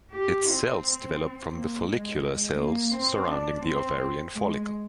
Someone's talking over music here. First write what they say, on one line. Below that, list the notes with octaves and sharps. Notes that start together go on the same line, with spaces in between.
Its cells develop from the follicular cells surrounding the ovarian follicle.
G4
C4
A#3
G#3
A#3
C4
D4
C4
G#3